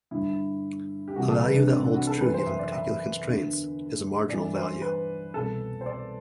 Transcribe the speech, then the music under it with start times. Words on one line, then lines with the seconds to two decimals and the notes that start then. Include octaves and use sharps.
A value that holds true given particular constraints is a "marginal" value.
0.11 G2 D3 E4
1.08 G4
1.16 C2 C3 E3 F#4
1.29 A4
1.42 B4
1.54 D4
1.68 C4
1.80 D4
1.94 F#4
2.07 A4
2.20 F#2 E3 B4
2.34 C5
2.46 E5
2.59 D5
2.72 E5
3.24 E2 D3
4.29 G2 E3 D5
4.56 C5
4.82 B4
5.34 C2 B2 A4
5.81 C5
5.86 D5